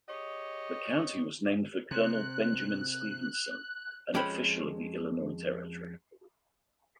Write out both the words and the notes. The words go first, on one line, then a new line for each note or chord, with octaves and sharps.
The county was named for Colonel Benjamin Stephenson, an official of the Illinois Territory.
G4 G#4 C#5 D#5
C3 F#6
F2 G#3 C#4 G5 B5